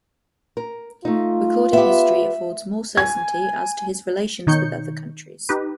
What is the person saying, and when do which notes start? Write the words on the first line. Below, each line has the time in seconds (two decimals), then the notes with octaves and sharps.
Recorded history affords more certainty as to his relations with other countries.
0.57 A#4
1.05 A3 D#4 F4
1.73 B3 G4 E5
2.97 G#5 G#6
4.46 B2 D#3 D#4 C#5 G6 C#7
5.49 D#4 G4 B4